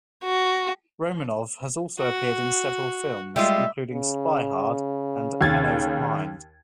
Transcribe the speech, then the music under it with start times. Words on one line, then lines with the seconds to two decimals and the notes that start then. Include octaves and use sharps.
Romanov has also appeared in several films, including "Spy Hard" and "Menno's Mind".
0.24 F#4
1.99 F#4
3.36 G3 G#3 F4 E5
3.92 C#3
5.41 D#2 G#6 A6